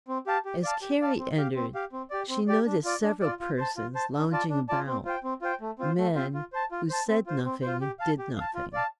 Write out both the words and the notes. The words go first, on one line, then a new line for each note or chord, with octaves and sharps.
As Carrie entered she noticed several persons lounging about--men, who said nothing and did nothing.
C4
G4 F5 A5
G4
D5 F5 A5
G4
D5 F5 A5
C4
G4 F5
C4
G4 F5
C4
G4 D5
C4
G4 D5
D4
F4 D5
D4
F4 D5
F4
C5 A5
F4
C5 A5
D4
F4 D5 A5
D4
F4 D5 A5
C4
F4 C5 G5
C4
F4 C5 G5
A3
C4 F4 C5
A3
C4 F4 C5
F4
C5 A5
F4
C5 A5
C4
F4 C5
C4
F4 C5
G4
F5 A5
G4
F5 A5
F4
D5 F5 A5